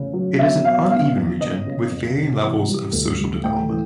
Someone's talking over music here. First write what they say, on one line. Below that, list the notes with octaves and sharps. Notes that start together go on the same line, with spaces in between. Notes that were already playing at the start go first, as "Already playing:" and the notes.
It is an uneven region with varying levels of social development.
Already playing: C#3 E3 A3
F#3
B2 E5
B2 F5
B2 F5
A#3
C#3 D#5
C#3
F2
C3
E3
G3
D2
G3
A2 G5
E3